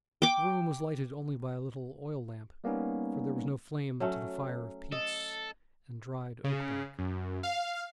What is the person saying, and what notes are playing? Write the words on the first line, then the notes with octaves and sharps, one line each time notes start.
The room was lighted only by a little oil-lamp, for there was no flame to the fire of peats and dried oak-bark.
G5 D6
G3 A#3 B3 C#4 D#4
F#3 A3 C#4
A4 D#5
C#3
F#2
F5